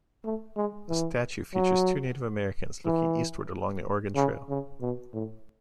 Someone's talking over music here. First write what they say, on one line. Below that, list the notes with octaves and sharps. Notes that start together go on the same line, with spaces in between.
The statue features two Native Americans looking eastward along the Oregon Trail.
A3
G#3
E3
F#3
E3
C#3
C#3
B2
A2